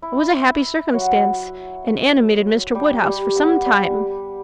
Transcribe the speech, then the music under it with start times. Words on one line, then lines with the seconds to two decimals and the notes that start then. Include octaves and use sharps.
It was a happy circumstance, and animated Mr. Woodhouse for some time.
0.02 E4
0.94 F#3 F#4
2.75 G3 G4
3.05 G3 G4
3.35 B3
3.66 G3